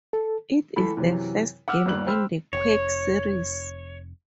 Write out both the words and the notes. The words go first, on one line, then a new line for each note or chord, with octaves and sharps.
It is the first game in the "Quake" series.
A4
C#2 E3 A4 B5
F#2 C3 E3
F#5 D6 E6 F6
G1 D#2 G3 F#6 F#7
C5 G5 B5 E6 F6
F1 C#5